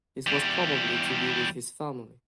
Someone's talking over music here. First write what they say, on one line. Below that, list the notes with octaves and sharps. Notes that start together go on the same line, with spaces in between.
This was probably to be with his family.
E2 G3